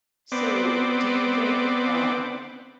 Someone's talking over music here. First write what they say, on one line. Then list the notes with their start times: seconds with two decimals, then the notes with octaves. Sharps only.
So, do you think, um,
0.32 B3 C4 D5